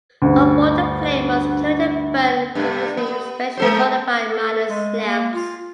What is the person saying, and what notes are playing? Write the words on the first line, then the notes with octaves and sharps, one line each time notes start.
On board the flame was carried and burned continuously in specially modified miners lamps.
D2 G2
G2 C3 A3
B3
G#3 A4 C5
A4
G#3
A#3
F4